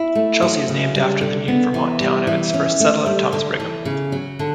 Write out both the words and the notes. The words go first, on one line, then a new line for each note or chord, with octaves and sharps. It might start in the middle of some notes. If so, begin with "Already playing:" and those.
Chelsea is named after the New-Vermont town of its first settler, Thomas Brigham.
Already playing: E4
A3
F#3
C#3
G3
D3
B3
E3
G3
E3
C#4
A3
G3
D3
E3
C#3
F#3
D3